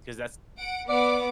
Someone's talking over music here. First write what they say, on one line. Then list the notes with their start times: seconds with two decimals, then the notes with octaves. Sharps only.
'cause that's
0.59 F#5 D7
0.89 B3 D5 F#5 D6